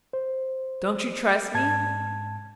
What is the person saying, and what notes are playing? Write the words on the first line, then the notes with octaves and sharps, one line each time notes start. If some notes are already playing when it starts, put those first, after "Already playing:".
Don't you trust me?
C5
G#2 A5 G#6